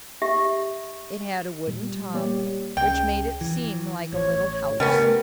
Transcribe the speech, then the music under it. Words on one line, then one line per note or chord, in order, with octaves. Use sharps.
It had a wooden top, which made it seem like a little house.
G4 E5
A#2 G3
G3 A#3 G4 C#5 D5
C#2 C#3 G5
E3
A1 C#5
C#3 G3 A3 B3 C#4 A#4